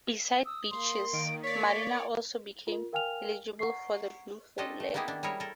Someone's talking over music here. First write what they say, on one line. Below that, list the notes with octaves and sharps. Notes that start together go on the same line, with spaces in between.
Besides beaches marinas also became eligible for the Blue Flag.
D#6 E6
A#3 C6
D#3 D7
C#5 D5 C#6 B6
F4 A#4
A#4 F5 G5 G#5 F6 F7
F#5 A#5 C#6 C7
C#4 D4 F4 G4 A4 D#5
A3
A#3 B3 D#4 E4 G4 G#4
D#3 D4
G3 E4 G#4 A#4 C#5
A4 A#4